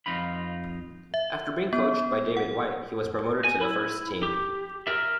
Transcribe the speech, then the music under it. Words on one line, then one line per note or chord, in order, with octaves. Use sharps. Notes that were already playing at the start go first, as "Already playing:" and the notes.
After being coached by David White he was promoted to the first team.
F2 D#4 F4 B5
E5
B3
F#5
G#5
E4
G4
A#4 E5